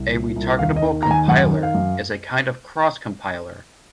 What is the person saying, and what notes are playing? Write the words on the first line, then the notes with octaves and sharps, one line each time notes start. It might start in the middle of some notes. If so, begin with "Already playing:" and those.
A retargetable compiler is a kind of cross compiler.
Already playing: C2
A#2
C2
D#2 F5
D#5
D#3
D#2 A#5
G#5
F#2 F#5
D#3
F5
F#2